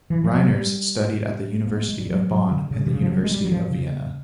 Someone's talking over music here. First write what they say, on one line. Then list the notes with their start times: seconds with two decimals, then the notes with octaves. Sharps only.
Reiners studied at the University of Bonn and the University of Vienna.
0.10 E3
0.24 F3
0.37 F#3
0.51 G3
1.67 A#3
1.78 A3
1.88 G#3
2.00 G3
2.11 F#3
2.31 F#3
2.51 D3
2.71 C#3
2.86 D3
2.91 C#3
3.01 F3
3.11 F#3
3.23 G#3
3.31 G3
3.45 F#3
3.52 F3
3.70 C#3